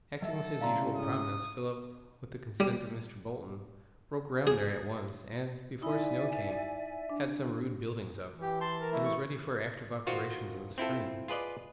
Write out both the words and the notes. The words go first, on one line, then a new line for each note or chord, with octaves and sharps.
Acting with his usual promptness, Philip, with the consent of Mr. Bolton, broke ground there at once, and, before snow came, had some rude buildings up, and was ready for active operations in the spring.
F#3 A4 D#5 E5
A2 C#3 D5 F5 A#5 C6
G#2 C#4 D#6
G3
G#4
D#4 E4 D5 E5 G#5 B5
D4
E3
G4
A5 C6
A#4
A3 E4
C#6
D#3 F4 F#4 C5
C4 E4 F4 A4
F4 G#4 B4 D5 D#5